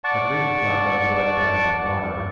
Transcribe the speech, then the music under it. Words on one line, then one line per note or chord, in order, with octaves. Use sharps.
A great cloud of blood dyed the water.
D5 F#5 A5 C#6